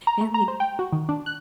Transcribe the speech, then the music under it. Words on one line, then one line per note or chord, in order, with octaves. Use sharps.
and li
A#5
A3
A#5
C5
G5
F#4
D#3
D4
F#6